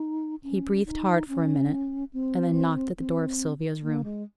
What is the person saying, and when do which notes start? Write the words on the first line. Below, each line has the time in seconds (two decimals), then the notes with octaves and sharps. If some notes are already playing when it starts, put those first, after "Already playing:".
He breathed hard for a minute, and then knocked at the door of Sylvia's room.
Already playing: D#4
0.43 C#4
0.86 D#4
1.28 C#4
2.13 C4
2.98 C4
3.83 A#3
4.04 G#3